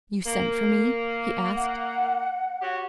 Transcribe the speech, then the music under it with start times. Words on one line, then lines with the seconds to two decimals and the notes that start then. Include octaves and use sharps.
"You sent for me?" he asked.
0.25 A#3
1.56 F#5
2.62 F#4 G4 C#5